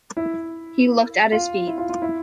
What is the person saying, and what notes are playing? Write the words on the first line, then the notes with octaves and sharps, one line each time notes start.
He looked at his feet.
E4
F4
E4
F4
F4
E4